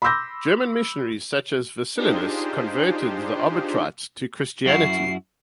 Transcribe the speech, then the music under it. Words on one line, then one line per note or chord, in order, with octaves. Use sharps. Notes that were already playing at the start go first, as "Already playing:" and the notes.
German missionaries such as Vicelinus converted the Obotrites to Christianity.
B5 C6 D6 E6 G6 A#6
D4 D#4 F4 G4 G#4 C5
F#2 E4 F#4 C7